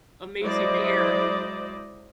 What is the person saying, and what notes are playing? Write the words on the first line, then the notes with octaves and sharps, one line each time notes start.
amazing to hear.
F#3 G#3 E4 C5 D5 D#5